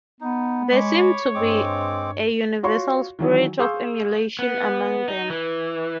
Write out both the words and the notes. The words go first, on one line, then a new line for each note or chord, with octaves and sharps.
There seem to be a universal spirit of emulation among them.
B3 D#4
G#3 C#5 B5 D6
G2 G#3 C4 D6
F4 F#4 C#5 C6 C#6
D#3 E3 F#3
G#4 F5 C6 C#6 E6 G6
B3
D#4
E3